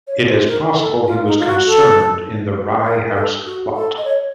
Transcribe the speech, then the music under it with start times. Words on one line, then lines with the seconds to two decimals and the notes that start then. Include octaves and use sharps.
It is possible he was concerned in the Rye House Plot.
0.07 C#5
0.27 C5
0.47 A#4
0.77 A4
1.07 F4
1.27 D#4
1.39 F4
1.47 F#4
1.66 A4
2.85 A#4
3.15 A4
3.45 F#4
3.75 A4
3.98 D#5
4.05 C#5